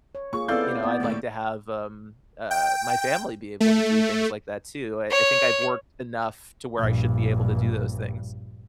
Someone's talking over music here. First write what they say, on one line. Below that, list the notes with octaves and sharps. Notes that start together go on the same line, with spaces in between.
you know, I'd like to have, um, uh, my family be able to do things like that, too. I I think I've worked enough to where I should be able to do those things.
C#5
A#3 F4 G#4 C#6
B3 C4 E4 A4 D5 F5 G6
B3 D5
D#2 A2
G5
A3
C#5
A#1 G2